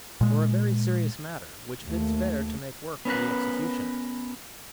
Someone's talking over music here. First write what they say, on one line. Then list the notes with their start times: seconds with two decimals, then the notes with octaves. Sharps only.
"For a very serious matter, which bids fair to make work for the executioner."
0.21 A#2 G#3
1.80 D#2 A3
3.05 B3 C#4 A#4 B4